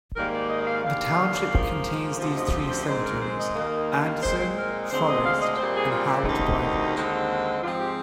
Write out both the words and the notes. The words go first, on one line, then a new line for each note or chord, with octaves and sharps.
The township contains these three cemeteries: Anderson, Forest and Howard Private.
G#2 D#3 G3 A#3 A#4
D5
D#5
D#5
F5
D#2 D3 G3 F5
G#2 F3 A#3
D2 C3 F3
D#5
D5
C5
G#2 D#3 G#3 C4 C5
A#4
C5
D#5
D#2 D#3 A#3
A#2 G#3 C4 C5
A#4
D2 D3 G#3 C4 C5
D#5
F5
D#5
A#2 G3 C4 C5
G#4
F4
G4
D2 C3 D#3 D#4
D#2 D3 G#3 C4
G#2 F3 G#3 C4 F4
G4